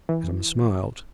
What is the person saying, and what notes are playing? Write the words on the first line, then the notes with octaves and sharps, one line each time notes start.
Adam smiled.
E3